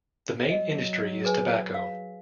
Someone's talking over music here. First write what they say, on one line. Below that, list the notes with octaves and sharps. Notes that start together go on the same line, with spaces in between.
The main industry is tobacco.
F#3 D#5
G#4 B4 G#5
F5